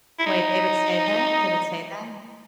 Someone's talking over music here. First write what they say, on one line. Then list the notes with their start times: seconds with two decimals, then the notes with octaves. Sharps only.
Wait, they would say that? They would say that?
0.19 E4
0.26 D#4